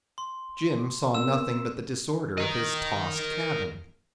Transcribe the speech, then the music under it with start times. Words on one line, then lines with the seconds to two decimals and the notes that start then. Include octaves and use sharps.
Jim saw nothing but the disorder of his tossed cabin.
0.18 C6
1.14 B3 C4 A#4 E6 E7
2.38 A#4 D#5